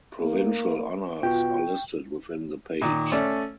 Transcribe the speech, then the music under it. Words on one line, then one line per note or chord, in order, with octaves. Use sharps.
Provincial honours are listed within the page.
A#3
B2 F4 G5 C#6
A#2 D#3
A3 C#4 D5